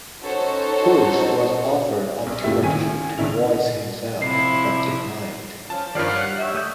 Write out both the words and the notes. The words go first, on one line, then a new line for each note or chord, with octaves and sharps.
Bush was offered the opportunity to voice himself, but declined.
C#4 D#4 F#4 A4 C5 C#5
B1
G1 A#2 A3 E4 G4 E5
C#2 D#3 G#5 D#7
B1 D3 D#3 D4 E4 F7
C3 F3 E4 C7
F3 C#4 A5
G2 D#3 F3 G3 C#5 D5 F5
F#5
F#6
G4 C#5 E5
A3 D#6 G6